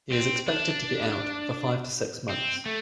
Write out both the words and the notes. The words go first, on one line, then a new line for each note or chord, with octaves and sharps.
He is expected to be out for five to six months.
C4
D4
C4
A3